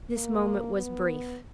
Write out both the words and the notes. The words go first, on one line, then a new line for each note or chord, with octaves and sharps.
This moment was brief.
A#3
B3